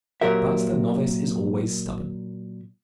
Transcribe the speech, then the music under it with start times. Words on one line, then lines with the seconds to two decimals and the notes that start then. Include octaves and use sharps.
But the novice is always stubborn.
0.21 A#2 F#3 A#3 G4 A#4 E5